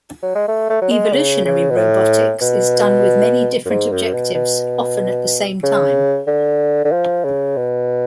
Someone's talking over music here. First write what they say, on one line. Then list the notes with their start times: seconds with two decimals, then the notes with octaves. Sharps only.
Evolutionary robotics is done with many different objectives, often at the same time.
0.23 F#3
0.35 G#3
0.48 A3
0.70 A3
0.82 F#3
0.91 G#3
1.13 C#3
1.45 C#3
1.70 B2
1.77 A2
2.41 B2
3.65 F#2
3.70 G#2
3.92 F#2
4.13 B2
4.34 B2
5.63 C#3
6.27 D3
6.85 D3
6.92 F3
7.24 C#3
7.57 B2